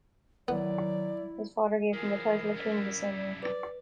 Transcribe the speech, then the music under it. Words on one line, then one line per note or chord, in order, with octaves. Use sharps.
His father gave him the title of king the same year.
D#3 F#3 B3 E4 D5
E3 F3 G#4 A#4
F#2 G3 E4
B4 D5